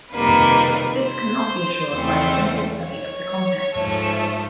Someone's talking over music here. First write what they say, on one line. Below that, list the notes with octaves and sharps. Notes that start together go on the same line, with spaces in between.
This can not be assured by a simple study of the context.
F2 C3 D#3 G3 A#3 B4
C5
E2 C#3 E3 A3 C4
C#5
G#2 F3 A3